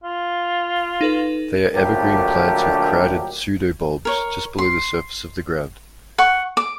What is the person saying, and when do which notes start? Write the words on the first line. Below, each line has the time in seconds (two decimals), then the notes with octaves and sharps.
They are evergreen plants with crowded "pseudobulbs" just below the surface of the ground.
0.04 F4
1.01 D#4 A4 B4
1.74 A#1 D3 F#3 A3 G4 A#4
4.05 A#4 C#5
4.58 C6
6.18 F#5 C#6
6.57 D6